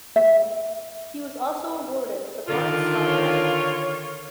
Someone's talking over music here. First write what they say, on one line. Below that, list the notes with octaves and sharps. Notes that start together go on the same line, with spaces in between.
He was also awarded the Bronze Star Medal.
E5
D3 D#3 F4
C#5